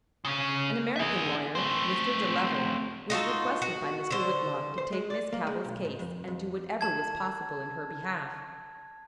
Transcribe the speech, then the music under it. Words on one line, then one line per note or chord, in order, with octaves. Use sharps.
An American lawyer, Mr. de Leval, was requested by Mr. Whitlock to take Miss Cavell's case and do whatever was possible in her behalf.
C#3 C#4
G#4 E5
A3 C4
D#4 F4 F#4 A4
F#4
D3 C5
C5
G#3
D5
A#3
G#3
B1
G#2
F2
F2
A5 G#6